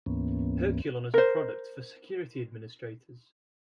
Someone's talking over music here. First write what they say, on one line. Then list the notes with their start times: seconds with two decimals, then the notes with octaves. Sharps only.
Herculon is a product for security administrators.
0.06 D2 G#2 E3 A#3 B3 C#4
1.14 A#4 C5